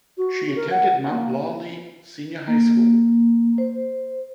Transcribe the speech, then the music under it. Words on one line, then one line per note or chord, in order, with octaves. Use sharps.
She attended Mount Lawley Senior High School.
F#4
A#4
F#5
A#3
A#3
C5